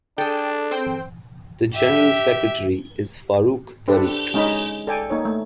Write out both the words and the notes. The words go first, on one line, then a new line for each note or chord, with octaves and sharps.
The General Secretary is Farooq Tariq.
D4 G#4 A4 G5
C4 C5 G5
G4 E5
D4 G4 A4 B4 C5 D5
D4
G#3 C#4 D#4 G#4 D#5 B5
A4 D5 G5 G#5
A#3 D#4 C#5
A3